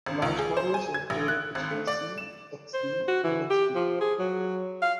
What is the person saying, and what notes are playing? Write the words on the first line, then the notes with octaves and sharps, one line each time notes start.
Launch models included the tC, xD, and xB.
G#1
C#2
G#4
C5
G#5
G#6
A1
F#6
G#1
A3
D5
E7
C5
F#4
E3
G4
F3
G#4
F#3
F5